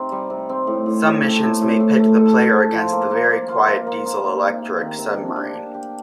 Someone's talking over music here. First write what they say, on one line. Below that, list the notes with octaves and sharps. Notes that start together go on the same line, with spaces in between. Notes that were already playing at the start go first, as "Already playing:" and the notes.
Some missions may pit the player against the very quiet diesel-electric submarine.
Already playing: C3 C4 D#4
G3
C3
C4
A2
A2
A2
A3
A2
A2
A2
A3
A4
A4
A4
F3
A#3
A#3
A#3
F4
A#3
A#3
D#4
A#3
C3
C3
D#3
C3
D4
D4
G4
G4